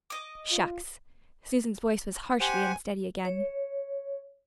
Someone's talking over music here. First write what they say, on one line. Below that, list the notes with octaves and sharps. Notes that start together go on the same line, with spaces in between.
"Shucks!" Susan's voice was harshly unsteady again.
D#5 D6
F4
G4 C5 F#5 G#5
C#5